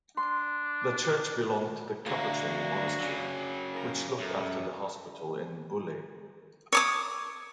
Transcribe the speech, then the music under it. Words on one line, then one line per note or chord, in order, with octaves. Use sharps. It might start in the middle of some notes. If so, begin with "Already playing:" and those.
The church belonged to the Capuchin monastery, which looked after the hospital in Bulle.
D4 C6
D2 A#3 D4 F#4
C#3 F#3
A#4
F#2 A4
C#5 D6 D#6